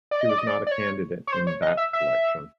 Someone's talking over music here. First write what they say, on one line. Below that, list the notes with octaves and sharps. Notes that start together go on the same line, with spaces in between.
She was not a candidate in that election.
D5
D#5
D5
D#5
D5
D5
C#5
C#5
C5
C#5
D#5
E5
E5